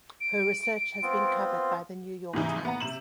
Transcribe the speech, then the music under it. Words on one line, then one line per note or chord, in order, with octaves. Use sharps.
Her research has been covered by The New York Times.
D7
B3 C4 F4
G#2 C3 E3 D#4
B3 F#5 A#5
C3 E7 F#7